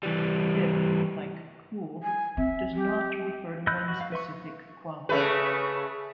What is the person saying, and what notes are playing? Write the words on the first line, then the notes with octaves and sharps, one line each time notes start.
"Hip", like "cool", does not refer to one specific quality.
E3 G3
G#5
C4 E5
G4
D#5 B5 E6 F#6 G6
F#4
F5
B4 E5 C6 C#6
C#3 A3 B4